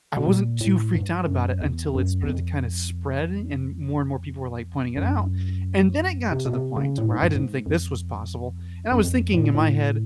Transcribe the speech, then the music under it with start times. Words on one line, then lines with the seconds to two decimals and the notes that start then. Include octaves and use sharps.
I wasn't too freaked out about it until it started to kind of spread and more, and more people were, like, pointing it out. And then it got to the point to where I didn't think this was possible, and I was thinking in my head,
0.17 B2
0.27 A#2
0.61 A2
0.95 G2
1.28 F#2
1.61 E2
1.95 F#2
2.23 E2
2.29 F2
4.97 F#2
6.31 C3
6.46 B2
6.53 C3
6.76 C#3
6.98 A2
7.11 G#2
7.23 G2
7.35 G#2
7.66 F2
8.92 F#2
9.00 F2
9.34 A2
9.44 A#2
9.55 A2